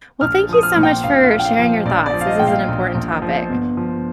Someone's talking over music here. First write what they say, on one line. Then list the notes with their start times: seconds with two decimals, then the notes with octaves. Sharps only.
Well, thank you so much for sharing your thoughts. This is an important topic.
0.21 A#1 F6
0.49 F3 D#6
0.63 F6
0.77 A#2
0.83 G5
1.04 A#1 F5
1.24 F5
1.31 A#1
1.39 G5
1.45 F5
1.59 F3
1.65 F5
1.86 A#1 D5
2.06 D5
2.13 F3
2.21 F5
2.27 D#5
2.39 A#2 G5
2.47 F5
2.68 A#1
2.95 A#1
3.22 F3
3.50 G1
3.77 F3